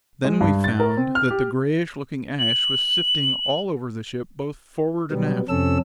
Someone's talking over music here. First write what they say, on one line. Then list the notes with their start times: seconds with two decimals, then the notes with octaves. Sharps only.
Then we found that the grayish-looking ash was sifting all over the ship, both forward and aft.
0.25 G#3
0.41 G2
0.64 A6
0.80 A#4
0.97 C4
1.15 F6
1.30 G4
2.39 F#7
5.11 B2 F#3 G3 B3
5.49 F2 C3 C#4 A4 E6